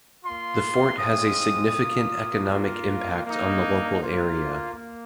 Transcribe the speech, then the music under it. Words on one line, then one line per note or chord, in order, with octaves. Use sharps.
The fort has a significant economic impact on the local area.
F4 C6
A#3
G#3 C4 F4 D#6
A#3 F4
A#3 F4
A#3 D#4
A#3 F4
A#3